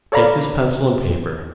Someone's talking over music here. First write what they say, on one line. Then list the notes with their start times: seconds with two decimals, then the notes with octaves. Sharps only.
Take this pencil and paper.
0.12 A4 C#5 D5 F5 A#5 B5